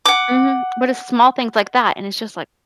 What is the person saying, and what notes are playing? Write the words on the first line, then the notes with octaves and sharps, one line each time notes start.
Mhm, but it's small things like that, and it's just like,
F#5 D6